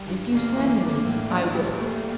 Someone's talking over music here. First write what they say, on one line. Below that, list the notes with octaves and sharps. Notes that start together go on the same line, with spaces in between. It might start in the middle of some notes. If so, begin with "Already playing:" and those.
But if you slander me, I will.
Already playing: G3
G2
G1 A#3
E3
A#3 D4
A2
A#1
G3
A3 A#3